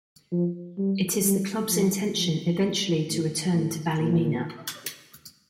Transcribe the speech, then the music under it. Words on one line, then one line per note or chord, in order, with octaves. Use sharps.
It is the club's intention eventually to return to Ballymena.
F3
G3
G3
F3
F3
G3
A2
A2
A#2